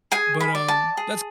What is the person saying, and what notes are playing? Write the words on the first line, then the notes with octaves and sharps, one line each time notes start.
But, um, that's
G#4 G#5
B5
D5
A5
G#4